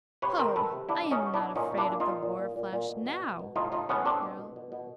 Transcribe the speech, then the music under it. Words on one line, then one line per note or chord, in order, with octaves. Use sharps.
"Ho, I am not afraid of the war flash now," cried Harald.
C3 B4 C#5
D#3 A#4 C5
D#3 A4 B4
C3
B2 D4 E4
B2
C#4 D#4
B2
D4 E4
B2
A#2 C#4 D#4
A#2
D4 E4
A#2
D#4 F4
A#2
A#2
A#2
A#2
A#2
B2
B2
B2
B2
A2 D#4 F4
A2 D#4 F4
A2 B3 C#4
A2 C4 D4
B2
B2
B2
B2